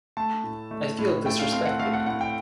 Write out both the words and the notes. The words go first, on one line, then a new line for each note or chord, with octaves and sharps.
I feel disrespected.
A3 A5
A2
A3
A2
A3 G5
F5
C4 F5
F#5
A3 F5
F#5
A2 F#5
G5